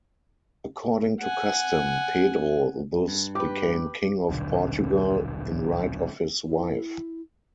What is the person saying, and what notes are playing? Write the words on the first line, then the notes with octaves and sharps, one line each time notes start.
According to custom, Pedro thus became king of Portugal in right of his wife.
F#5 G#5
G2
G4 B4 D6
D#1 B1 D3
E4